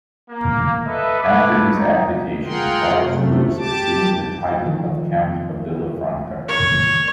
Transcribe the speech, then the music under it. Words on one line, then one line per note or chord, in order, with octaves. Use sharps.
After his abdication Charles Louis assumed the title of Count of Villafranca.
A#3
A4 B4 D#5 E5
A4 B4 C#5 D6
D#4
F4 G#4 A#4 F#5 G5 C6
F#2 C3 A3
G4 A5 D6
D#3 F3
C#5